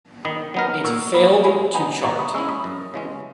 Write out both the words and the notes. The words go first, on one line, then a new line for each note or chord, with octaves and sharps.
It failed to chart.
D#3 B5 D#6
F#3 B3 D#4 A#4
A#2 C#6 E6
F#3 A#3 E4 B5 D#6
G#3 G#5 B5
B3 D#4 G#5 B5
B2 A#5 C#6
B5 D#6
G#3 C#4 E4 C#6 E6
B5 D#6
F#2
C#3 E3 G#3 C#4